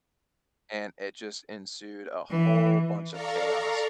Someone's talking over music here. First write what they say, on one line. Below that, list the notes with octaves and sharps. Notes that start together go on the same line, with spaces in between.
and it just ensued a whole bunch of chaos.
E3
A4 D5 F5 A#5 C#6